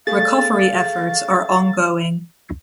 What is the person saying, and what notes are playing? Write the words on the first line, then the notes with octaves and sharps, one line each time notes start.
Recovery efforts are on-going.
A3 G#4 F5 A6